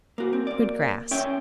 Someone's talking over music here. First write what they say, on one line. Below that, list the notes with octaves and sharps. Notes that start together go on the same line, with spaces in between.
Good grass.
A#3 F#4
C4
A#3 D5
C#4 E5 G5